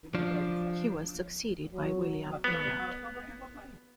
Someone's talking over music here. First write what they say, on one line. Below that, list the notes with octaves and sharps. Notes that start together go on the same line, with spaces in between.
He was succeeded by William Enyart.
F3 D4
F#3
B3